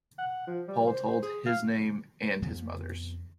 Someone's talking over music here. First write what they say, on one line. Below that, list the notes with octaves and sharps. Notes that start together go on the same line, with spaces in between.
Paul told his name and his mother’s.
F#5
F3
G3
C5
C5
G#4
F5
F2 F3 B3